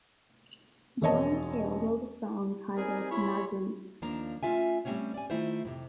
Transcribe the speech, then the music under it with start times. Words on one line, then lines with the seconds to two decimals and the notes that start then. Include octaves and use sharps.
John Cale wrote a song titled "Magritte".
1.01 E1 F#2 F3 C#5 D#5 A5
2.76 C4 D#4 G#4 A#4 G#5
3.10 E4 G#4 C#5 B5 C6
4.02 D#2 F3 A#3 D4 A#5
4.43 A3 C#4 F4 E5 G#5
4.85 G3 A3 C4 C#4 C#5
5.14 D5 G#5
5.30 D#3 A3 E4 F4 C5
5.65 F2 C3